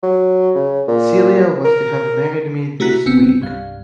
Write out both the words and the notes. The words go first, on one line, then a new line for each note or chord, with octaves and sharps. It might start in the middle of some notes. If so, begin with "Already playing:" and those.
Celia was to have married me this week.
F#3
C#3
A#2
A#4
A3 E4 F#4 A#5 F#6 B6
G1 C3 B3 C4 E6 C#7
C2 G2 F5